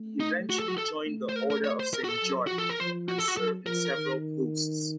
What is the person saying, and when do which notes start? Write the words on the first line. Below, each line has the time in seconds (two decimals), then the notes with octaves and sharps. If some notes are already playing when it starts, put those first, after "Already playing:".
He eventually joined the Order of Saint John, and served in several posts.
Already playing: A3
0.20 D#4
0.50 F#4
0.59 A4
0.68 F#4
0.78 A4
1.07 A3
1.29 C5
1.36 A#4
1.51 A#4
1.64 C#5
1.80 C5
1.94 A#4
2.04 F#4
2.08 A4
2.23 F#3
2.47 F3 F#4
2.58 A4
2.70 A#4
2.80 F3 C5
3.09 F#4
3.18 A4
3.28 F#4
3.37 F#3 A4
3.66 F3 A#4
3.96 D#3